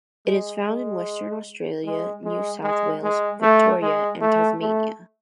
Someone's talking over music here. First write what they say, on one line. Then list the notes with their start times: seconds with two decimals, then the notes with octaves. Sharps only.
It is found in Western Australia, New South Wales, Victoria and Tasmania.
0.26 G#3
0.66 G#3
1.85 G#3
2.24 G#3
2.63 G#3
3.03 G#3
3.41 A3
3.82 G#3
4.21 A3
4.60 A3